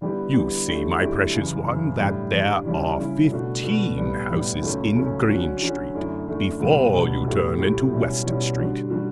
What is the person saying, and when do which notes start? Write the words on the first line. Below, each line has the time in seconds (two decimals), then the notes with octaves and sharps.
"You see, my precious one, that there are fifteen houses in Green Street, before you turn into West Street."
0.01 D3 G3 B3 E4 G4
0.34 D3 G3 B3 E4 G4
0.67 D3 F#3 A3 E4 G4
1.00 D3 F#3 A3 E4 G4
1.33 F#2 C#3 E3
1.66 F#2 C#3 E3
1.99 A2 G3 D4
2.32 A2 G3 D4
2.64 C#3 G3 C#4 E4
2.98 C#3 G3 C#4 E4
3.30 B2 A3 D4 F#4
3.63 B2 A3 D4 F#4
3.97 A2 G3 B3
4.30 A2 G3 B3
4.62 C#2 C#3 F#3 A3 C#4
4.95 C#2 C#3 F#3 A3 C#4
5.28 D3 F#3 C#4 F#4
5.62 D3 F#3 C#4 F#4
5.94 F#2 D3 A3 E4
6.26 F#2 D3 A3 E4
6.59 C#2 B2 G3 B3
6.93 C#2 B2 G3 B3
7.26 A2 F#3 A3 E4 G4
7.59 A2 F#3 A3 E4 G4
7.92 B2 G3 C#4 E4
8.24 B2 G3 C#4 E4
8.58 D3 G3 D4 F#4
8.90 D3 G3 D4 F#4